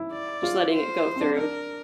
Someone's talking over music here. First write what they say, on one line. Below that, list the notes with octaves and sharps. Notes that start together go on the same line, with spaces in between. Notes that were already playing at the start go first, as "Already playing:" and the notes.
just letting it go through.
Already playing: E4
D5
F4
C5
E4
C4
D4
D4 A#4